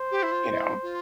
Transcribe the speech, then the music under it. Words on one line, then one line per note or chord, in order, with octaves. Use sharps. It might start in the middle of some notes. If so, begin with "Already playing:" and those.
You know?
Already playing: C5
G4
E4
F4
E4
F4